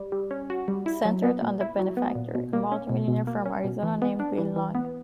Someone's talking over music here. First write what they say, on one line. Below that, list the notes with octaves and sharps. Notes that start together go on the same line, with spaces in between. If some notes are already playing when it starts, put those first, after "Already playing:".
It centered on the "Benefactor", a multi-millionaire from Arizona named Bill Long.
Already playing: G3
G3
C#4
F#4
G3
E4
F#3
B3
A#2
E4
F#3
B3
A#2
B2
A#3
C#4
B2
B2
A#3
C#4
B2
E3
B3
D4
E3
E3
B3